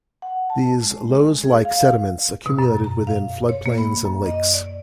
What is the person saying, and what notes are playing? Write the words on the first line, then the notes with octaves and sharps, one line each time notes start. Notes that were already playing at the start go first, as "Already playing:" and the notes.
These loess-like sediments accumulated within floodplains and lakes.
F#5
A5
G#3
G#4
F5
B2
F#2
A#5
F5
C#5
A#3
B5
F#2
D#5
D5